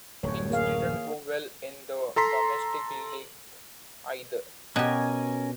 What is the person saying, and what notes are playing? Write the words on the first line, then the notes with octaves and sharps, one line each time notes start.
Things didn't go well in the domestic league either.
D1 F#2 C#5
A#3 G#4 F5
A4 A#5 C6 B6
B2 C#4 G4 A#4 G#5